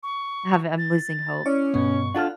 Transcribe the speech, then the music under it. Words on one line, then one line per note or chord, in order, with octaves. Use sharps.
have a I'm losing hope.
C#6
A6
C#4 E4 C#5 D5
G2 B2 B3 C#6
D4 F4 A4 F#5 F6